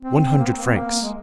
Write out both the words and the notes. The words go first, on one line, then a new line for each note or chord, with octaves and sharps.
"One hundred francs!"
C4
A#3
C4
A#3
C4
A#3
G#3